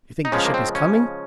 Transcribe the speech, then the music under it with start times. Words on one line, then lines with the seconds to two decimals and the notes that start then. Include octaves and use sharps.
"You think the ship is coming?"
0.25 D#4
0.32 C#3 F3 G#3 C#4
0.45 A#3
0.54 C4
0.75 C#4